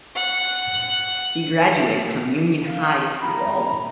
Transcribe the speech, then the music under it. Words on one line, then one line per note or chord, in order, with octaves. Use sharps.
He graduated from Union High School.
F#5
F5
A#5 B5